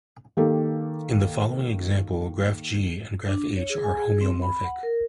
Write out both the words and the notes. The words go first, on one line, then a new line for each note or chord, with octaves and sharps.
In the following example, graph G and graph H are homeomorphic.
D#3 A#3 G4 A4
D4
C#5
G#4
G#5
G#4
C4
B5
F#5
A#4